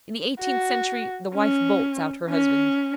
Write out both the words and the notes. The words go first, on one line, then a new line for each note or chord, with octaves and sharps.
In the eighteenth century the wife bolts out her husband.
F#4
C#4
C#4